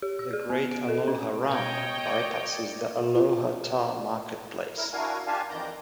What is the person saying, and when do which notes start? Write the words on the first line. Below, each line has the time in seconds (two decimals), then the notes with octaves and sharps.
The Great Aloha Run bypasses the Aloha Tower Marketplace.
0.02 G4
0.19 E6
0.33 G#4
0.50 B3
0.71 D7
0.89 A4
1.08 C#4
1.49 B2 C#5 D#5 G5
2.06 D5
3.15 F4
4.77 E4 A#4
4.93 D4 E4 F#4 A#4 F5 G#5
5.27 D4 F4 G4 F5 G#5 A5
5.49 F2 D#3 E3 D5 A#5 G6